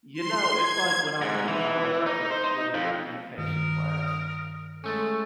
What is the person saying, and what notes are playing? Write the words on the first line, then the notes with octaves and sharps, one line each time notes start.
you know, it's like when I was in college, I took political communication class.
C6
G#6
G#2
E3
D#4
C5
D#4
F2
G2 D#3 A#4 D#6
G#3 A3 C#4 A4